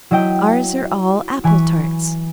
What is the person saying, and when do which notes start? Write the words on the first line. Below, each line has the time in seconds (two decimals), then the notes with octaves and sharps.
Ours are all apple-tarts.
0.11 F#3 E4 D#5 G5
1.44 E3 G#5 B5 C#6